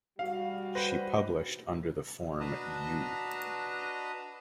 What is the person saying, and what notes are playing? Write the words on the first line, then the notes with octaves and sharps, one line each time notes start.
She published under the form U.
G3 F#4 F5
B4 C5 A#6
D4 F#4 B4 D#5 A5 A#5